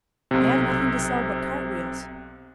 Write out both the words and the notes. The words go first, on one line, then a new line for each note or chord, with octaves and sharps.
I have nothing to sell but cart-wheels.
B1 C3